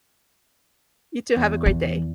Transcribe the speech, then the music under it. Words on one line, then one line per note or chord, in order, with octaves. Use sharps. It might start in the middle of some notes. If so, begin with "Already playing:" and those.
You too, have a great day.
E2
E3